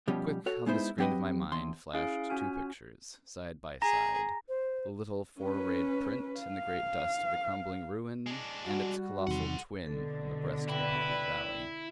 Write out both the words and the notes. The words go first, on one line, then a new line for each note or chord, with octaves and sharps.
Quick on the screen of my mind flashed two pictures, side by side--the little four-rayed print in the great dust of the crumbling ruin and its colossal twin on the breast of the poppied valley.
B2 F3 G3 C#4
F#4 A4 C#5
G#3 B3 D#4 E4 C5
F#3 C4 G4 B4 D#5
E2 C6
C#4 E4 G#4 F5 D7
C#4 F4 F#4 G#5 F6
G#4 A#5 A#6
C5
C#4 B4
F5
G#3 D4
G3 F#4
E2 C3 D#3 F#5 C6
B2 D3 A4
E4 B4 D5 G5